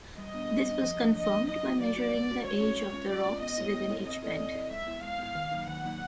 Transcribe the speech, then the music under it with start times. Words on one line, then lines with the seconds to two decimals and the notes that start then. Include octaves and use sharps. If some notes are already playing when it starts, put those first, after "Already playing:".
This was confirmed by measuring the ages of the rocks within each band.
0.18 G3 D#5
0.34 B3 D4
0.51 G3
0.67 B3 D4
0.83 F3
0.99 A#3 D4
1.16 F3 D#5
1.32 A#3 D4
1.48 F#3 D#5
1.64 A#3 D#4 F#4
1.80 F#3 D5
1.96 A#3 D#4 F#4
2.13 G#3
2.29 C#4 F#4
2.45 G#3 C#5
2.61 C#4 F#4
2.77 G#3
2.93 C#4 F4
3.09 G#3 D5
3.26 C#4 F4
3.41 B3 D#5
3.58 E4 A4 C#5
3.74 B3
3.90 E4 A4 C#5
4.05 C4 D#5
4.23 E4 A4 D5
4.39 C4
4.55 E4 A4 D5
4.71 G#3 E5
4.87 B3 E4
5.02 G#3 F5
5.19 B3 E4
5.35 D#3
5.51 F#3 A#3 D#4
5.68 D#3 F#5
5.84 F#3 A#3 D#4